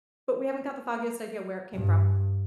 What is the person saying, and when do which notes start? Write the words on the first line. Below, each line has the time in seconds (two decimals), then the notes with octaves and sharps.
but we haven't got the foggiest idea where it came from.
1.73 G2